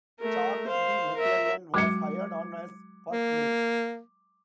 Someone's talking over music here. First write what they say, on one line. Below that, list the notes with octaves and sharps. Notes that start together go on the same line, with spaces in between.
Charles B. McLellan was hired on as first mate.
A3 A#4
C5 F5
A#4 E5
F#3 G#3 F#4 D6 G#6 C#7
A#3